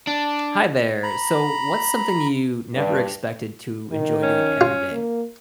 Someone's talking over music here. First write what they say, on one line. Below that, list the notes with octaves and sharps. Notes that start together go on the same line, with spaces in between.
Hi there, so, what's something you never expected to enjoy doing every day?
D4
A#5 B5
G2
D#3
C#4
F4
A#3